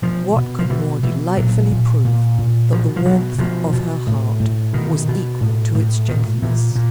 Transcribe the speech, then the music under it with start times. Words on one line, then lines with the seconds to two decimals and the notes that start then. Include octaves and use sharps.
What could more delightfully prove that the warmth of her heart was equal to its gentleness?
0.02 B2 F3
0.36 B2
0.59 F3
0.70 B2 E3
1.03 B2 E3
1.37 A#2 F#3
1.71 A#2
2.05 A#2
2.38 A#2
2.72 B2 F3
2.96 F3
3.05 B2 F#3
3.39 B2 F3
3.73 B2
4.07 A2
4.40 A2
4.73 B2 D#3
5.08 B2
5.41 A2
5.74 A2
6.09 A#2 D#3
6.42 A#2 E3
6.76 A#2